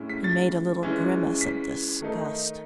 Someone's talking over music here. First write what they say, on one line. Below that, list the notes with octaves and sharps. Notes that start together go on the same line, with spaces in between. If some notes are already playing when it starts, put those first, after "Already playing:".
He made a little grimace of disgust.
Already playing: A2 G#3 C#4 E4
B6
A6
E3 G#3 C#4
B6
D#3 A3 D#4